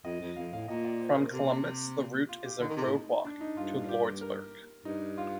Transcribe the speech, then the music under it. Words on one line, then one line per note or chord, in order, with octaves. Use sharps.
From Columbus, the route is a roadwalk to Lordsburg.
F2 D#5
F2
F2 F5
A2 F5
A#2 D#5
D5
C5
A#4
C3 A4
G4
F4
G4
D3 D#4
D#3
C3
A2
D4
D#4
G2 F4
G4
A#4
G2 D#4
F4